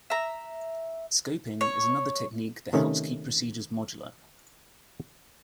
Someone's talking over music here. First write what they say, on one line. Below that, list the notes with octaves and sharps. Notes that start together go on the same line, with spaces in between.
Scoping is another technique that helps keep procedures modular.
E5 A#5
C#5
C3 D#3 A3 C#4